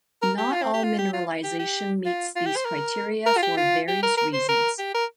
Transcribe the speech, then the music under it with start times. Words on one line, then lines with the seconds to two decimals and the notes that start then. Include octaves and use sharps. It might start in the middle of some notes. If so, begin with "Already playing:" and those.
Not all mineralization meets these criteria for various reasons.
0.22 A#4
0.38 G4
0.52 F4
0.63 C4
0.74 G4
0.84 F4
0.98 G4
1.13 F4
1.43 G4
1.59 G4
2.05 F4
2.36 F4
2.46 G4
2.56 C5
2.65 A#4
3.26 A#4
3.37 F4
3.42 G4
3.57 F4
3.88 G4
4.03 A#4
4.17 A#4
4.33 C5
4.49 A#4
4.79 G4
4.94 A#4